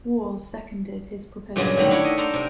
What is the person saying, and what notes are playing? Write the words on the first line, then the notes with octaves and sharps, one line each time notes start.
Warre seconded his proposals.
G2 A#2 C#3 F#3 G#3
D3 D#3 A3
D4 E4 C#5
D#5
D4 A4 C5 A#5
C3 A#4